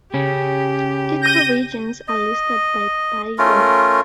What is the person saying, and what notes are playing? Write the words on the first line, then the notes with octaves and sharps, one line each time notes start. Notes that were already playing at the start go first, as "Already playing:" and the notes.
Ecoregions are listed by biome.
C#3 C#4 G4
G6 A#6 D#7
D#5
A3 C#4 F4 A#4